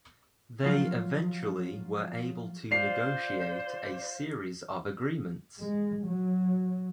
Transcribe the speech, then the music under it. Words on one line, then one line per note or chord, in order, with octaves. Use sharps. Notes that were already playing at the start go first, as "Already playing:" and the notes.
They eventually were able to negotiate a series of agreements.
F3 F#3 F4
F4 C5 D5 C7 F7
G#3
F#3